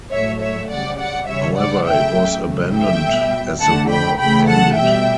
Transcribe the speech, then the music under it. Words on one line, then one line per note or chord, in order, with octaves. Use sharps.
However it was abandoned as the war ended.
A2 F#3 A3 C#5 E5
C#5 E5
C#3 G3 D5 F#5
D5 F#5
C#3 E3 G3 C#5 E5
D5 F#5
C#3 F#3 A3 E5 G5
C#3 F#3 A3
E5 G5
B2 G3
D3 A3 F#5 A5
G5 B5
C#3 E3 A3 G5 B5
F#5 A5
B2 G3 E5 G5